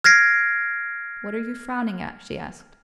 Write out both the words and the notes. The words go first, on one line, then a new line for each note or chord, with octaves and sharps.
"What are you frowning at?" she asked.
F6 G#6 A#6 C7 D7